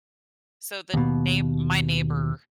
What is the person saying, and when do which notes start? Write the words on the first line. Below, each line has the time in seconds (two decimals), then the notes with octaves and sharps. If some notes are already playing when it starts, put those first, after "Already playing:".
so, the neigh my neighbor
0.94 D#2 B2